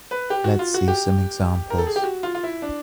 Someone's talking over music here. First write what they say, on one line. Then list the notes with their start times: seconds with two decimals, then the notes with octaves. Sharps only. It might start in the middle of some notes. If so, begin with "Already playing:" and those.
Let’s see some examples.
0.11 B4
0.30 G4
0.44 F#4
0.59 F4
0.74 F#4
0.88 G4
1.70 A#4
1.78 A4
1.87 G#4
1.96 G4
2.04 F#4
2.23 F4
2.35 F4
2.43 E4
2.62 D4